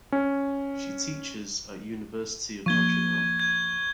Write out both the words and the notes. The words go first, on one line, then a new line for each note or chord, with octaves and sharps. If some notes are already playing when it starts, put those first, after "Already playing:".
She teaches at University of Notre Dame.
C#4
F3 A#3 C#6 G#6 G7
G#6